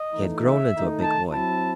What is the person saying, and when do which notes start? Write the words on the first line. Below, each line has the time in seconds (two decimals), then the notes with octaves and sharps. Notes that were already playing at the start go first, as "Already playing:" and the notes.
He had grown into a big boy.
Already playing: D#5
0.13 E3 A3 D#4
0.43 E5
0.72 D#3 A3 D#4
1.01 A5
1.30 F#3 C4 E4 A5